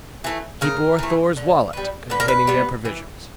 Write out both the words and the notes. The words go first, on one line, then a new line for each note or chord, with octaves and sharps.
He bore Thor's wallet, containing their provisions.
E3 A3
C#3 A#4
E3 A3
D3
G3 B3
D3 B4
A#4
B4
G3 B3
E3